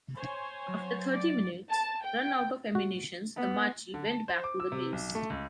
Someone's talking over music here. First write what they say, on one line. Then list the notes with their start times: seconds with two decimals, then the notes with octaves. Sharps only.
After thirty minutes, run out of ammunitions, the Macchi went back to the base.
0.16 C5 C#5 G#5
0.68 F#3
1.12 D5
1.71 A5
2.04 G5
2.75 F#4
3.36 B3
3.94 D3
4.05 A5
4.28 C5
4.44 D6
4.60 E6
4.72 C3
4.92 B1
5.15 A3
5.30 C#2